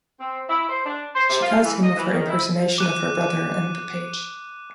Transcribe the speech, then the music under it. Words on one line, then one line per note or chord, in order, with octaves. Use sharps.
She tells him of her impersonation of her brother and the page.
C4
E4
C5
D4
C5
C3
F4
E3
D#5
E3
D#3
E4
D6 F#6 D#7